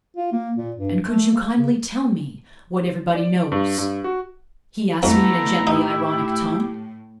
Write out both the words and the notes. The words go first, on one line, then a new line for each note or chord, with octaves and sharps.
"And could you kindly tell me what everybody knows?" he asked me in a gently ironic tone.
F4
A#3
A#2
G2
A3
A#3
C#3
D5
G2
G2
F#4
F2 B2 A3 E4 A#5
A2 D#4 G4